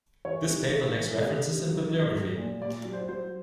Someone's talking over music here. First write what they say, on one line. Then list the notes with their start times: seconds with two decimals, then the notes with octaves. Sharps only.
This paper lacks references and bibliography.
0.25 E3 C#5
0.49 C3
0.72 C3
0.96 E3
1.20 C3 D#5
1.43 C3
1.67 F#3
1.91 D#3
2.14 F#3
2.38 A#2
2.61 A#2 D5
2.85 F#3
2.93 C5
3.09 F#3 C5